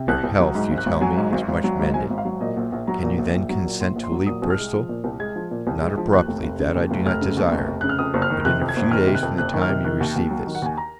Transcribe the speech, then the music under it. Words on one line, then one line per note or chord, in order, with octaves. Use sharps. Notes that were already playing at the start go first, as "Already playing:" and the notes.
Your health, you tell me, is much mended:-Can you then consent to leave Bristol?-not abruptly, that I do not desire, but in a few days from the time you receive this?
Already playing: C3
C2 F#6
C2
F#3
G#2
G#1
F#6
G#1
F#3 G#5
G#2
G#1
G#1
F#3
G#2
G#1 G#5
G#1
F5
F#3
A#2 D#5
A#1
A#1
F#3 A#5
A#2
A#1
A#1
F#3
A#2
A#1 C6
A#1
C6
F#3
A#2 D#6
C2 D#6
F6
G#3
F3
A#2
C2
G#3 G#6
F3
A#2
C2
G#3
F3
D#2 F#6
F1
F1
C#3
D#2
F1
F1 F6
C#3
D#2
F1
F1
C#3 F#6
F6
F2 D#6
F#1
F6
D#3
C3 F#6
F2
G#6
F#1
D#3 F6
C3
F#6
F2
F#1 F#6
D#3
F6
C3
D#3 F#6
D#2
D#2
F#3
D#3
F#5
D#2 G#5
A#5